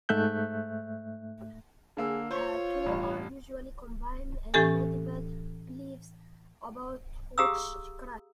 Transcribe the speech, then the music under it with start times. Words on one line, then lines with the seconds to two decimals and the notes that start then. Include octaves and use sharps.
The two are usually combined in medieval beliefs about witchcraft.
0.09 G#2 A3 E5 F#6 G6
1.97 D3 A#3 G#4 E6
2.31 F4 C5 C#5
2.86 A1 G2
4.54 A2 E3 C#4 G4 A4 G#5
7.38 G4 G#4 F5 A#5 D#6 E6